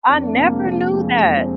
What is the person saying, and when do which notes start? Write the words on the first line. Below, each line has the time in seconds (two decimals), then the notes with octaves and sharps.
I never knew that.
0.09 F2 D4
0.23 D4
0.37 C3 A#3
0.51 G#3
0.65 F3 A#3
0.93 F2 G#3
1.22 F2 G#3
1.37 C4